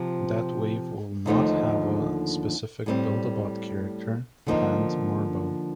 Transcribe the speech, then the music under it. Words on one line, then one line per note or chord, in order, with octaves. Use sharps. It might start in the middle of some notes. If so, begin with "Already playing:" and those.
That wave will not have a specific Build A Bot character, planned Morbo.
Already playing: C3 F3 C4 F4
D#2 D3 F3 A3 D#4
A2 G3 C4
D3 F3 A#3 D#4